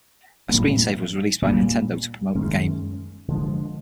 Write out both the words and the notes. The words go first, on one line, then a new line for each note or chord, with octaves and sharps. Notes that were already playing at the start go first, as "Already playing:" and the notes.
A screensaver was released by Nintendo to promote the game.
A2 E3 G3 A#3
A#2 G3 A#3
F#2 D#3 G#3 C#4
D3 F3 G#3